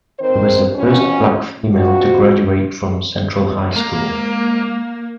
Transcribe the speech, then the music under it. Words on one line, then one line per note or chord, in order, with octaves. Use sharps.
She was the first black female to graduate from Central High School.
D#3 C4 A#4 C5
F2 B2 E3 C#4
F2 F#4
G#3 A#3 A#5